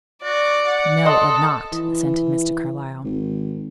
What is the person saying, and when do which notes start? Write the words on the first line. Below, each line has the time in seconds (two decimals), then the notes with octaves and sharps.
"No, it would not," assented Mr. Carlyle.
0.24 F#4 D5
0.67 F#5
1.06 A4 D#5 C6 D#6
1.73 E3
3.04 G#1